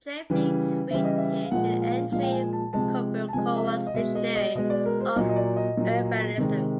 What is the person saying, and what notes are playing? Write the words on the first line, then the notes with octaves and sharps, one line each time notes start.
Drayneflete rated an entry in Robert Cowan's Dictionary of Urbanism.
C#3 E3 G3
C#3 E3 G3 E5
D#5
E5
F5
A#2 F3 G#3 F#5
F5
A#2 F3 G#3 F5
G5
G#5
A5
C3 F3 G#3 A5
A5
C3 F3 G#3 G#5
E5
F5
D#5
B2 G#3 E5
D#5
D#5
B2 G#3 D#5
D5
A#4
C5
A#2 F#3 D#5
D#5
D5
D#5
A#2 F#3
C3 D#3 G#3